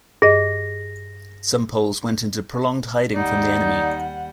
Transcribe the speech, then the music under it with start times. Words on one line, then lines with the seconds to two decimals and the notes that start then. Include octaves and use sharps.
Some Poles went into prolonged hiding from the enemy.
0.22 G2 G#4 D#5 A#6
3.15 D#2 G3 D#4 D5 F#5